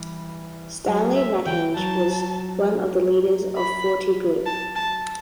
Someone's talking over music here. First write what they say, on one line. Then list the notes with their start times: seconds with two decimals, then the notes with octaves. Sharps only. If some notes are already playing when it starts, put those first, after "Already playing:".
Stanley Mathenge was one of the leaders of Forty Group.
Already playing: E3 G3
0.86 F#3
1.16 E5
1.46 E3 G5
1.75 F#3 A5
3.57 B5
4.46 A5
4.76 A5